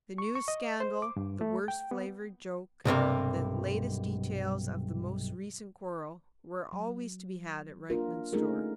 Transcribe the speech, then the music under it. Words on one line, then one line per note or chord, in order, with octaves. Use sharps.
The newest scandal, the worst-flavoured joke, the latest details of the most recent quarrel, were always to be had at Rykman's store.
C#6
C#6
D#5
C5
D6
G2
A3
G5
B3
B1 G2 C3 A#3
F#3
A#3 D4 F4 A#4
A3 C#4 D#4 F4 G#4 A#4